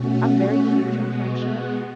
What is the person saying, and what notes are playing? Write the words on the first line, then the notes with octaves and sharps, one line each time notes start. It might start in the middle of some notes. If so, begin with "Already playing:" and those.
I'm very huge on friendship,
Already playing: B2 A3 C#4 F#4
B2 G#3 B3 F#4